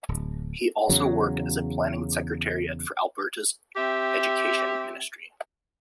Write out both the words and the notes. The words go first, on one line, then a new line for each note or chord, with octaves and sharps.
He also worked as a planning secretariat for Alberta's Education ministry.
D1
E2 C#3 F#3
C4 G4 E5